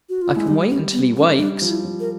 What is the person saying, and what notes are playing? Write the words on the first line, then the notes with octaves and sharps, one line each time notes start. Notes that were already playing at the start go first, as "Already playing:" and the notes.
"I can wait until he awakes."
F#4
F4
G#3 E4
G3 D#4
C#4
B3
C#4
G3 D4
F3
E4
F3
A#4